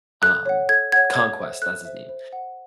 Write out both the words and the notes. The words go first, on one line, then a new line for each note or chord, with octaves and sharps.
Um, Conquest, that's his name.
A4 F#6
C#5 F#5
A4 G#6
C#5 F#5 G#6
A4 G#6
C5 E5
A4 F#6
C5 E5
C5
F#5